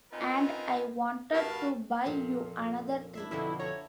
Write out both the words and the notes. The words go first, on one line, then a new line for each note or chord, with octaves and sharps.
And I wanted to buy you another drink.
B3 C4 D#4 F4 A#4 G#5
G2 B3 F#4 A#4 F5 A5
F2 A#2
D4 E4 E5
F2 B2 D3 E4
E4 C#5 A#5